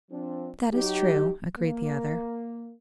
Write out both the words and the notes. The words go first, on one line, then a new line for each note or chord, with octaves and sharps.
"That is true," agreed the other.
F3 C4 D4
F#3 D#4 G4
A#3